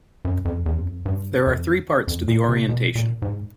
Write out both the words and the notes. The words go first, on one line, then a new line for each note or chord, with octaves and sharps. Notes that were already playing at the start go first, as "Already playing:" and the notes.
There are three parts to the orientation.
F#2
F2
E2
F#2
F2
G2
F2
F2
A#2
C3
B2
A#2
G#2